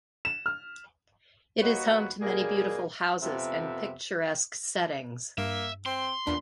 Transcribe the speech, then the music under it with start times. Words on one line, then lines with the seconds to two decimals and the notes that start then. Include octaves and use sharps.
It is home to many beautiful houses, and picturesque settings.
0.25 E7
0.46 F6
1.62 D#2 A#3 D#4 F#4 B4 C#5
2.21 D#2 B2 G3 A#3 G#4
3.22 F2 C3 B3 E5
5.38 G2 A#3 E5
5.86 C4 C6
6.26 E2 A#2 D4 B5